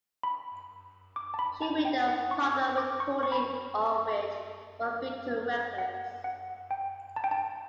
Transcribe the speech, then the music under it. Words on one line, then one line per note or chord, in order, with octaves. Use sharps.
She made a popular recording of it for Victor Records.
B5
D6
A5
B5
A5
G5
F#5
C#6
E6
D6
C#6
C#6
B5
F#5
F#5
G5
A5
G5
A5